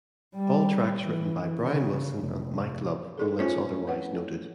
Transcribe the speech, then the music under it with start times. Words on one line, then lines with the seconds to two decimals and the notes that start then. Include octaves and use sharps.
All tracks written by Brian Wilson and Mike Love, unless otherwise noted.
0.35 G3
1.03 E3
1.61 C#3
2.17 F1
3.18 D#4 G#4 A4
3.39 A2 C#4 F4 C5
3.87 B4 C#5 F#5